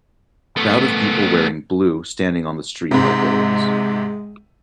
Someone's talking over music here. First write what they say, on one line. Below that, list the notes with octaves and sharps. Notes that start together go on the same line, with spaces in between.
Crowd of people wearing blue standing on the street by buildings.
A3 B3
G#2 C3 G#3